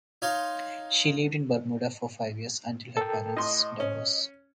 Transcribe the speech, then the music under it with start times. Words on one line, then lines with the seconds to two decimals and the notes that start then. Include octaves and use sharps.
She lived in Bermuda for five years, until her parents' divorce.
0.22 D#4 C#5 F5 C6
2.97 A4 A#4 G5
3.37 A2 D#5 C6
3.80 C#4